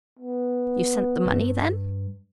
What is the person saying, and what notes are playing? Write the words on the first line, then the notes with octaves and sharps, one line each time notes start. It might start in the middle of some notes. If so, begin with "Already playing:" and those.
"You sent the money, then?"
B3
C#2 G2